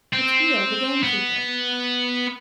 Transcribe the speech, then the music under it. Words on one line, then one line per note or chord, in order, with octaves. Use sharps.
It's Beale the gamekeeper.
C4
B3